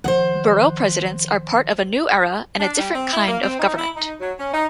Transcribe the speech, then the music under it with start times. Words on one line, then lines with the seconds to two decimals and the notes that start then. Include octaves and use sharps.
Borough presidents are part of a new era and a different kind of government.
0.04 D#3 F3 C5 F#5
2.60 D4
2.79 G3
2.94 C4
3.13 E4
3.28 A#3
3.42 C4
3.59 D#4
3.76 E4
3.96 D#4
4.20 F#3
4.39 C#4
4.54 D#4